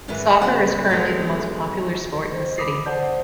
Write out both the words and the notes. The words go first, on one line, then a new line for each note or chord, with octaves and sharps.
Soccer is currently the most popular sport in the city.
G#2 D#3 E3 G#3 A#4 B4
C#3 F#3 A#3 C#5 F#5
F#3 G#3 B3 D#4 A4
C5
B5 D6 D#6 C7
C5 D5 F#5 A5 G6